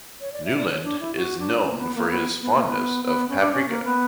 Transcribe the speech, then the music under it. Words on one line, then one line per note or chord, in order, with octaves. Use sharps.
Newland is known for his fondness of Paprika.
C#5
D5
E5
D5
C#5
D4
E4
F#4
D4
D4
C#4
A#3
B3
A#3
B3
B3
A#3
B3
B3
C#4
D4
C#4
A#3
B3